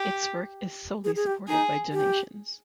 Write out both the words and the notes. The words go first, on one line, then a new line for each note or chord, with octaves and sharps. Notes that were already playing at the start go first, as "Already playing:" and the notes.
Its work is solely supported by donations.
Already playing: G4
G#4
G#4
G4
D#4 G#4
G4